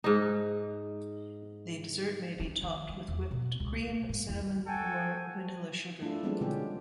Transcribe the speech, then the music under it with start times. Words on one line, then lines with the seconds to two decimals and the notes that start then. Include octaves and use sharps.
The dessert may be topped with whipped cream, cinnamon, or vanilla sugar.
0.04 G#2 D#4
2.40 C#4
2.63 D#3
2.89 G3
3.08 E2
3.31 B2
3.60 C#2
3.87 A#1
4.09 G#2
4.29 E2
4.67 F#4 A4 G5 G#5
6.02 A3 D4 E4 F4 A4
6.23 F3 G3 G#3 B3 C4 D4
6.41 B2 D3 E3 G#3 C#4 G4